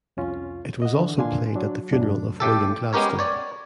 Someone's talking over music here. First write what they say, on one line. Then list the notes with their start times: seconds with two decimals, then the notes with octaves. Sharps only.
It was also played at the funeral of William Gladstone.
0.17 C2 F2 C#4 F4
0.82 D#5 F#5
0.98 D3 E3
1.18 A#2 D4 F5 G#5 C6
1.56 F#3 D4
1.91 F#2 A2 C3 D4
2.40 A2 G4 A4
2.93 G#3 B3 C#4 G4 A#4 C#5
3.19 C#5 D5